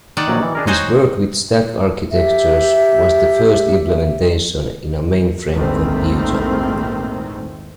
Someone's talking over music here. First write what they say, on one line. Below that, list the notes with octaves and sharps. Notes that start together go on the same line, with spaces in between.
His work with stack architectures was the first implementation in a mainframe computer.
D#3 D5 F#5
A#1 F#3
E3
D4 G#4 A#4
D#4 F#4 C5 C#5 G#5
G4 E5
A#1 E2 G#2 D#3 A3 C4